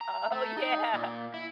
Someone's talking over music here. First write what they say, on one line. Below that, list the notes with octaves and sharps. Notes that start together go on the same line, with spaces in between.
Oh yeah,
A#5
A3
D#4
A#2
E4